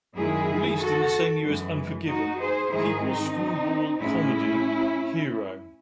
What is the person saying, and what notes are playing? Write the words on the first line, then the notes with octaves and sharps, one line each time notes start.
Released in the same year as "Unforgiven", Peoples' screwball comedy "Hero".
F#2 D#3 G#3 E4 G#4
F#4 A4
F#2 E3 G#3
D#4 F#4
G#4 C5
G#2 D#3 G#3 E4 G#4
C4 D#4
A2 G#3 C#4 E4